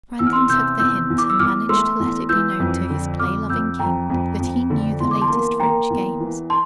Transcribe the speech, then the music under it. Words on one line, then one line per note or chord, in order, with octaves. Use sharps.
Brandon took the hint and managed to let it be known to his play-loving king that he knew the latest French games.
E2 E6
F6
C6 E6
C3 E6 G6
E2 E6 G6
E2
D6
E6
E2 D6 F6
A3 C6 E6
E2
E3 E6 G6
F2
D3
F2 D6 F6
F2 E6 G6
F2 G5 A#5
F2
F2
D3
E2 C6
D6
A5 C6
A#3
A#3 G5 A#5
E2
E3
A5 C6